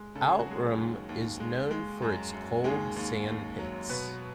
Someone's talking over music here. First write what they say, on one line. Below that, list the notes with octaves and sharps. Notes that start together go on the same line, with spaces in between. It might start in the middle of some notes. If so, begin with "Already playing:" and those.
Outram is known for its cold sandpits.
Already playing: G#3
C#3 A4
G#4
F#4
F#3 G#3 G#4
D#2
D#2
G#3
G#3
F#2
F#2
D#2 G#3 G#4
D#2
D#2
F#3
B2 B3 B4